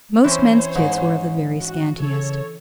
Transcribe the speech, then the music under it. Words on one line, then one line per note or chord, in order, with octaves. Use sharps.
Most men's kits were of the very scantiest.
E3 C4 C#4 C5 C#5
G#2
F#4
C#3 A4 C#5